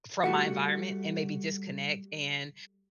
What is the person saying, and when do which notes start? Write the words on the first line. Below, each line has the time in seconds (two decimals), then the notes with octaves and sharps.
from my environment and maybe disconnect, and
0.24 G3 A3 F#4